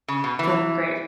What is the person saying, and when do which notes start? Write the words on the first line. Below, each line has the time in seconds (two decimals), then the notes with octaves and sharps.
That's great.
0.08 C#3
0.24 B2
0.39 E3